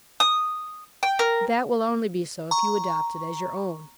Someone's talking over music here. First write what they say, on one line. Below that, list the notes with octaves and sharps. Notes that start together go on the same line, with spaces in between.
But that will only be so if you adopt it as your own.
D#6
G5
A#4
A#5 C#6